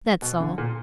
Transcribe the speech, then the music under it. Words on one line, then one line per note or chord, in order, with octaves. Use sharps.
That's all.
B2
D3
A#2